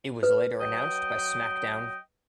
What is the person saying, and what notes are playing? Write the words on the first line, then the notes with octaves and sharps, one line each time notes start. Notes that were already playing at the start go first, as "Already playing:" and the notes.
It was later announced by SmackDown!
B4
F#3 D#5 G5